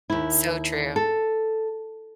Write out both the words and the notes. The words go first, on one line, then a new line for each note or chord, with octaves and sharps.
So true.
D#2 E4
A4